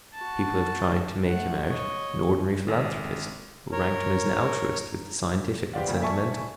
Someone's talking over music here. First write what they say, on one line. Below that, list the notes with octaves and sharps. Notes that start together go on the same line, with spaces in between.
People have tried to make him out an ordinary philanthropist, or ranked him as an altruist with the scientific and sentimental.
F#4 A5
A3 F#5
C#5 D#5
G#1
A#4 C#5
G4 B4 C5 D5 F5 F#5
A#2 C#3 F3 G3 A3 A#3
D5 E5 G#5 A5 C#6